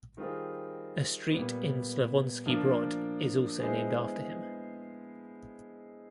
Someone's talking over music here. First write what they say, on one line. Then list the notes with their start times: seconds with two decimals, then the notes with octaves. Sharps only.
A street in Slavonski Brod is also named after him.
0.17 D#3 G3 C4 F4 G#4
1.31 A#2 G3 B3
2.46 F3 A#3 D4
3.59 G#3 B3 E4 G#4 C5